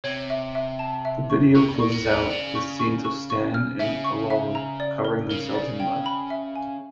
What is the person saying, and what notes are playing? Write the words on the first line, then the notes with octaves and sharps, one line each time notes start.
The video closes out with scenes of Stan and Olaru covering themselves in mud.
C3 C#5
E5
E5
A5
E5
C#6
C3 C#6
A#2
C#6
B2
D5
C3
C#3 D5
C#6
C#6
C#6
C#6
F6
C#3 E5
C#6
E5
A#5
D5
A#4
C#3 A#4
D5
G5
B5
E5
G#5